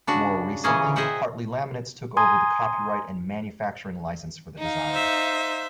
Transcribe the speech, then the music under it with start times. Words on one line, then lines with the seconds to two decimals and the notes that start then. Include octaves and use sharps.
More recently Hartley Laminates took over the copyright and manufacturing licence for the design.
0.07 C#3 D4 F#4
0.64 A#2 C#3 E3 C#4 G#4 D#5
0.96 G#4 C5 D#5 E5 F#5 G5
2.17 G#5 A#5 C6 D#6 G#6
4.58 D#4 F5
4.91 C5 E5